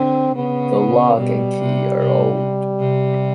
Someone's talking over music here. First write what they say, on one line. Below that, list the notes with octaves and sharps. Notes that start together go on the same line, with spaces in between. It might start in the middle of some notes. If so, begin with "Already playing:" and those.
The lock and key are old.
Already playing: D3 C4
C#3 B3
B2 G3
C3
C3
C3